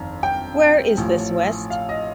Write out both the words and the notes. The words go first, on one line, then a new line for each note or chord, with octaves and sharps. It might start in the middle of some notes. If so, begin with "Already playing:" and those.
Where is This West?
Already playing: G1 F2 D#3 A#5
G5
A1 A2 F3
F5
D#5